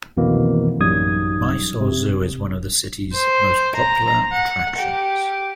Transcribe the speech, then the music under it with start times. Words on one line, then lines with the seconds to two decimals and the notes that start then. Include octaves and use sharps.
Mysore Zoo is one of the city's most popular attractions.
0.17 C2 F2 B2 D#3 E3 A#3
0.80 A1 F#2 G3 D#4 D#6 G#6
1.81 C3
3.13 C5
3.76 A#5
4.33 F#5
4.78 G4